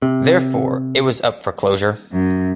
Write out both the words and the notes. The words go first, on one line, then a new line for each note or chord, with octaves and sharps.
Therefore, it was up for closure.
C3
F#2